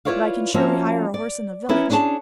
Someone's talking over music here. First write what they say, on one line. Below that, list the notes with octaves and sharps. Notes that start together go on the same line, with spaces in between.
"But I can surely hire a horse in the village?"
E4 F4 B4 C#5 D5 F5
F3 A#3 C#4 F#4 E5
D5
B3 C#4 E4 A#4 B4
C#4 D4 G#4 C#5 A5